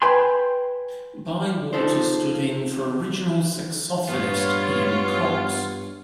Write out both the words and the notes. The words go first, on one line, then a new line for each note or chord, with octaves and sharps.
Bywater stood in for original saxophonist Ian Cox.
B4 G5 G#5 C6
D#4 F4 A4 C5
G2 B3 F4 C#5